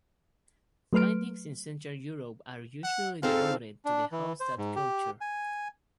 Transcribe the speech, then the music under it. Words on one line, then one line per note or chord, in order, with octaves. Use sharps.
Findings in Central Europe are usually devoted to the Hallstatt culture.
F#3 A3 B4 C6 F6 D7
F#5
F2 G#2 C4 D#4 A4 F5
D4
E3
C5
G#2
G4
G#5